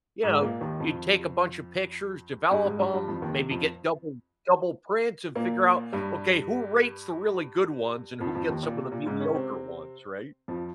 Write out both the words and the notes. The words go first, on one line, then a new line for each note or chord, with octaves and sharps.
you know, you'd take a bunch of pictures, develop 'em, maybe get double double prints, and figure out, "Okay who rates the really good ones and who gets some of the mediocre ones?" right?
G#2 G#3
A#2 A#3
D#2 D#3
F2 F3
G2 G3
G#2 G#3
G2 G3
G2 G3
F2 F3
D#2 D#3
C3
F2 F3
A#2 A#3
G2 G3
F2 F3
F2 F3
D#2 D#3
A#2
C3
A#2
G#2 G#3
C#3 C#4
C3 C4
F2 F3